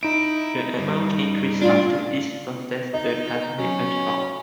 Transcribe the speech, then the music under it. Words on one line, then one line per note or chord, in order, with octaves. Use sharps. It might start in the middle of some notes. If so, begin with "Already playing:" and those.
The amounts increase after each contestant has made a drop.
D#4 E4 D7
G2
A2 D4 F4
D#4 D#5
F#3 C#4